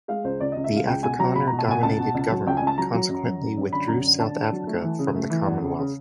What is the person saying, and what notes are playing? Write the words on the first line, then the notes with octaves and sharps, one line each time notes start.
The Afrikaner-dominated Government consequently withdrew South Africa from the Commonwealth.
G#3 F5
C#2 C5
C#2 D5
C#2 D#5
E5
G#3 F5
C#2 G5
B2 G#5
F#3 A#5
B2 B5
B2 A#5
A5
B2 G#5
C#2 A5
B2
C#2
F#3
C#2 G5
C#2 G#5
A5
F#3 A#5
F#3
F#2
F#2
F#2
F#2
D3 B5
F#2 A#5
D3
D3 A5
D3
F#3
A3
E3
C#3
A3
E3
E2
C#3
C#3